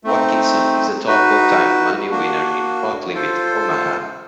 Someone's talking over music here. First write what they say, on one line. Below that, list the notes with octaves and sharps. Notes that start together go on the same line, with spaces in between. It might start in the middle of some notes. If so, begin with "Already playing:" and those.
Watkinson is the top all-time money winner in Pot Limit Omaha.
A3 C4 D#4
D#4 F#4 B4
A#3 D4 F#4
F4 A4 C5